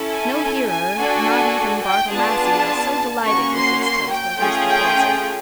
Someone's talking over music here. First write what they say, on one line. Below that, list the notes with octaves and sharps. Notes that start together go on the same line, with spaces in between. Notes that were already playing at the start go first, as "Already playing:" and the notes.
No hearer, not even Bartle Massey, was so delighted with this toast as Mr. Poyser.
Already playing: C#4 E4 A4
G#5
G#5
D4 F#4 A4
G5
B3 D4 F4 G#4 A5
A#3 C#4 F#4 C#6
C6
C6
G5
A3 C#4 F4 G#4
G5